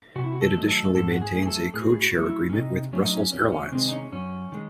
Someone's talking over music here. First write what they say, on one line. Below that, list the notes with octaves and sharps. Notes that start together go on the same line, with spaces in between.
It additionally maintains a codeshare agreement with Brussels Airlines.
C3 F#4
E4
F#4
A4
D#3 F#3 A3
A4
G#2 A4
F#4
G#4
F#3 A3
G#4
A4
A2 G#4
F#4
G#4
F#4
F#3 A3
E4
C#4
C3 D#4
F#3 A3 C#4
D#4
C#4
E2 C#4
C#4
C3 D#3 G#3 C4
D#4
C#4
F#2 C#4
D#3 G#3